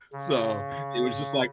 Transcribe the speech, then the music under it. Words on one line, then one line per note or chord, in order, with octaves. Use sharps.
So it was just like
C#3